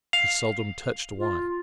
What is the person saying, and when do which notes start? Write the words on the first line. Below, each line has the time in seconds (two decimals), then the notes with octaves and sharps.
He seldom touched wine.
0.13 F5
1.17 F4